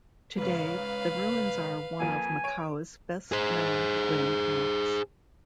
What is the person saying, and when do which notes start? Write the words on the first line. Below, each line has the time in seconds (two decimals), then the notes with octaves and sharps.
Today, the ruins are one of Macau's best known landmarks.
0.37 G#2 C#3 B4 F5
2.00 F2 A#3 G#5
2.44 C#5 D7
3.32 G#4 C5